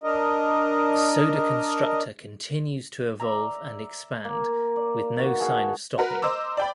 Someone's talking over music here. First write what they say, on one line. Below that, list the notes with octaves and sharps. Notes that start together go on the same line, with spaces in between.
Sodaconstructor continues to evolve and expand, with no sign of stopping.
D4 A#4 D#5
D5 E5 A#5
A#3
D5
B2 D#3 F#4
F#4 G#4 F5 A5
F#4 A#4 B4
C5 D#5 A#5 D6 E6
D5 G5 B5